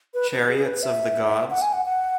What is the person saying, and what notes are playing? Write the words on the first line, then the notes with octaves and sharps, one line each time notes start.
Chariots of the Gods?
B4
B4
G#4
B4
E5
F#5
G#5
F#5
F#5